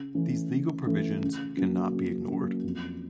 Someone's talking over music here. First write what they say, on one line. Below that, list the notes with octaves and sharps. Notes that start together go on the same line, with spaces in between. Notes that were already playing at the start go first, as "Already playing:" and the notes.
These legal provisions can not be ignored.
Already playing: C#3
E3 A3 C#4
C#3
E3 A3 C#4
C#3
F#3 A#3 C#4
C#3
F#3 A#3 C#4
F2